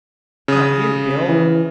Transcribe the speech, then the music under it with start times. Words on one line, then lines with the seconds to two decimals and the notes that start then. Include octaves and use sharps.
Not you, Bill!
0.48 C#3 D#6
1.29 E3